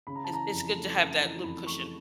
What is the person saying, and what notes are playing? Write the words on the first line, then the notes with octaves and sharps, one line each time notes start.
It's it's good to have that little cushion.
C#3 B5
A#5
A5
E3 A#5
F2
A3
C#3
E3
F2 B5
A3 C#6
C#6